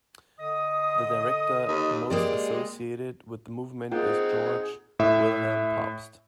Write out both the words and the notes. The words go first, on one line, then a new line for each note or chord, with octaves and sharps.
The director most associated with the movement is Georg Wilhelm Pabst.
D3 D#5 D#6
D#2
G#3 A#3 G4 D5
A#3 C4 D#4 F4 G#4 F#5 G5
A2 E5